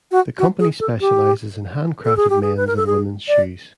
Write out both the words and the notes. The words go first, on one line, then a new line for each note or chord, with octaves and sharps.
The company specializes in handcrafted men's and women's shoes.
F#4
F#4
G#4
A4
G4
A4
G#4
G4
G#4
B4
A#4
A4
G#4
D5